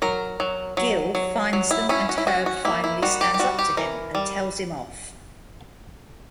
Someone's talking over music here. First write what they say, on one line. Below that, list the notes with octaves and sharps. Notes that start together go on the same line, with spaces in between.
Gil finds them and Herb finally stands up to him and tells him off.
F#3 A#4
F#3
F#3
F#3
F#3
E4
C#4 E4
F#4
E4
C#4 F#4
F#4
A#3 E4
E4
G3 F#4
G4
G4
G3 F#4
G4
E3 A#4
G3